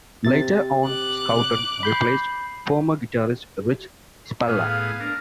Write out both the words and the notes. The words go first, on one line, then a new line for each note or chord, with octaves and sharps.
Later on Scouten replaced former guitarist Rich Spalla.
C3 A6
D6 F#6
B5 G6 C7
A2 B3 G#4 F5
F5
D4 A#4